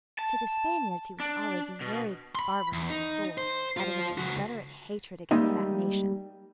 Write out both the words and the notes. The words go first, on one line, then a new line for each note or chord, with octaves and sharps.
To the Spaniards he was always very barbarous and cruel, out of an inveterate hatred against that nation.
A5
D4
B2
B5 C6
E2
D#4
C5
F4 C5
C#2 F#4
G3 G#3 A#3 D#4 D#5 E5